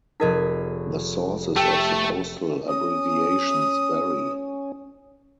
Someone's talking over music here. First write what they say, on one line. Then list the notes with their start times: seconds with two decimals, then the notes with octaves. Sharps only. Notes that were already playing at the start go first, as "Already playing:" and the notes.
The sources of the postal abbreviations vary.
0.20 F1 D#4 G#4 A#4 D#5 B6
1.56 A3 G4 G5 E6
2.68 C#4 D#6